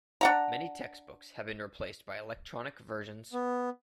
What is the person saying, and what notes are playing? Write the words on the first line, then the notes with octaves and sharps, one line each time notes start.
Many textbooks have been replaced by electronic versions.
D4 F#5 A#5
B3